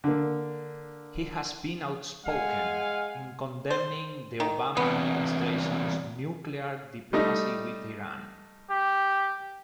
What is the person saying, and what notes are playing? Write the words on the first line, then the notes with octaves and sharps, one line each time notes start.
He has been outspoken in condemning the Obama administration's nuclear diplomacy with Iran.
D3 A#3
G#3 F5 F#5 G#5
C5
D#3
E2 C3 B3
G3 A3 D#4
G4